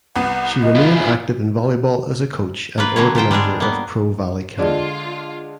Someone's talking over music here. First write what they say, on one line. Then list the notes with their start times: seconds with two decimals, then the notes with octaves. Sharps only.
She remained active in volleyball as coach and organizer of Pro Volley camp.
0.16 C2 B3 F#5
0.63 D#5
0.75 E4 F4
0.95 G#5
2.78 A#3 F4 B4
2.96 D3 F#3 A#3 C4 E4 C#5
3.15 A#2 F4 C5 G5
3.31 G3 G#3 D4 G#4
3.60 A#3 B3
4.58 D3 G#3 D4 F4